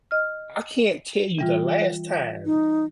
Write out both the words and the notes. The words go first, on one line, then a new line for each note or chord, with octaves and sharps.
I can't tell you the last time
D#5 F6
E3 G3 F4
D#4